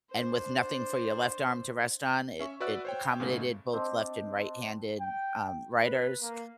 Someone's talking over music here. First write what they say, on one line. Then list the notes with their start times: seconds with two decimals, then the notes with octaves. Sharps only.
and with nothing for your left arm to rest on, it it accommodated both left and right-handed, um, writers.
0.11 D4 C5
2.40 C#4 E5 C#6
2.60 F#4 B4 D5 E5 E6 F#6
2.85 C5 C#5 G5
3.20 G#2 C#3 G#3 A3
3.73 C4 D4 D#5
5.00 G5
5.82 B4
6.21 A#3